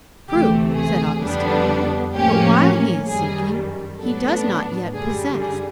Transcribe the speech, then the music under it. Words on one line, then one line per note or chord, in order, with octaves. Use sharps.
"True," said Augustine, "but while he is seeking he does not yet possess."
D2 C3 E3 A3 G4
G#4
F2 D3 G3 B3 D4
A2 F3 A#3 C#4 G4
F#2 D#3 G3 G#4
A2 F#3 B3 D4 A4
F#2 D3 G3 G#4
G#4